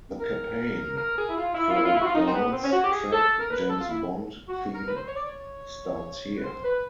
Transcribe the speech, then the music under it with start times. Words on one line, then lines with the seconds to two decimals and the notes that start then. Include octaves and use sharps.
The campaign for a dance track James Bond theme starts here!
0.19 A#4
0.96 A#4
1.16 G#4
1.29 E4
1.36 F4
1.54 E4
1.69 F4
1.74 E4
1.84 F4
1.93 E4
2.00 F#4
2.04 F4
2.13 D#4
2.28 C4
2.33 B3
2.52 C4
2.63 C#4
2.71 F#4
2.82 G4
2.91 G#4
3.11 A4
3.38 A#4
3.50 B4
3.69 A4
3.79 F4
3.89 E4
4.47 F#4
4.73 A#4
4.87 B4
4.95 C5
5.06 C#5
5.15 D5
5.25 C#5
6.37 B4
6.42 C5
6.62 B4